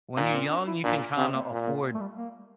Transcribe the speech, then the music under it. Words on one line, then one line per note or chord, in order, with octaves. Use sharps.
When you're young, you can kinda afford
A#2 D4
C4
D4
E4
A#2 D4
C3 C4
A#3
A#2
A#3
A3
G3
A#3